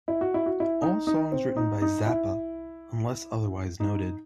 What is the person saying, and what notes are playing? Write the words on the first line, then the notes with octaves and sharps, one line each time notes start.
All songs written by Zappa unless otherwise noted.
E4
F#4
E4
F#4
E4
D#4
D#4
C4
D#4
D#4
E4
D#4